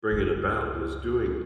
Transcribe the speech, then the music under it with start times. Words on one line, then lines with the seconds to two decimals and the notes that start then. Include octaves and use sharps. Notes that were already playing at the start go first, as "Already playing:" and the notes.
bringing about, is doing
0.12 C#2 F#2